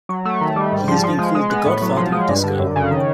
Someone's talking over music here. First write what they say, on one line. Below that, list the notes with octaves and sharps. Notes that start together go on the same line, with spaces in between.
He has been called "the Godfather of disco".
F#3
A3
D#3
G3
G#2
F3
F3
G#3
G#3
B3
A2
F#3
F3
G#3
G2
D3
F#2
C#3
D#3